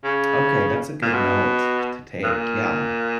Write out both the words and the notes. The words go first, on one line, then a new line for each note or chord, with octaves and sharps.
Okay, that's a good note to take. Yeah.
C#3
A#2
B2
A#2